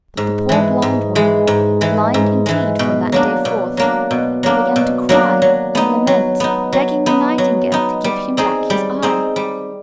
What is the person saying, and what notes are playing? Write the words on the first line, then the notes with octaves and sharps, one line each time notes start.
But the poor Blindworm, blind indeed from that day forth, began to cry and lament, begging the Nightingale to give him back his eye.
G#2
E3 G#3
G#2
E3 G#3
G#2
E3 G#3
G#2
E3 G#3
B2
F#3 A#3 D4
B2
F#3 A#3 D4
B2
F#3 A#3 D4
B2
F#3 A#3 D4
F#3
B3 D#4
F#3
B3 D#4
F#3
B3 D#4
F#3
B3 D#4
G3
C4 D#4 G#4
G3
C4 D#4 G#4
G3